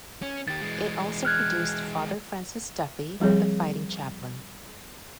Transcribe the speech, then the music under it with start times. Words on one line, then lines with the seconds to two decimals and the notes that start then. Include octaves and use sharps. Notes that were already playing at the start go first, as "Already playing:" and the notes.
It also produced Father Francis Duffy, "The Fighting Chaplain".
0.22 C#4
0.48 D#3 G4 A6
0.61 E3 G#3
1.25 F6 F#6 G#6
3.20 F3 G3 C4 G#4 C#5